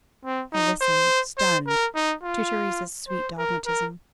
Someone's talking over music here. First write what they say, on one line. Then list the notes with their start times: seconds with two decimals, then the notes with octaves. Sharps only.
I listened, stunned, to Theresa's sweet dogmatism.
0.24 C4
0.52 D#4
0.81 C5
1.38 C5
1.67 A#4
1.95 D#4
2.23 F4
3.08 C5
3.37 A#4
3.66 A#4